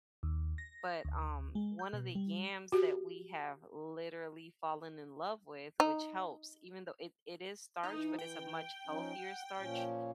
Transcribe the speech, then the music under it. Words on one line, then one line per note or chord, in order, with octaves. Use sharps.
but, um, one of the yams that we have literally fallen in love with which helps even though it it is starch, but it's a much healthier starch,
D#2
A#6
D2
G#3
G6
B2
G3
F#4 G4
D#4
E3 D#4
G5
F3 C#4 D#4
F#5
A#2 F3 C#4